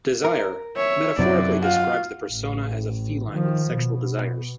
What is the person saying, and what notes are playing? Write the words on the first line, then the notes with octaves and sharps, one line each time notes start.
"Desire" metaphorically describes the persona as a feline with sexual desires.
A#4
C#5 E5
F#2 C3 F#3 E4 D5
F4 F#4 F5
A1
D#3 F3
B2